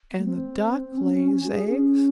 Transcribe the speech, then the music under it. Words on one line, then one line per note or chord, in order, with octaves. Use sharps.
And the Duck lays eggs.
A3
C4
C#4
C#4
C#4
F#4
G#4
C#4